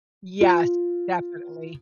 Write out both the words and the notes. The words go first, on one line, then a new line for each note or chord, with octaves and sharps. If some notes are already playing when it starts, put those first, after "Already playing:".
Yes. Definitely.
F4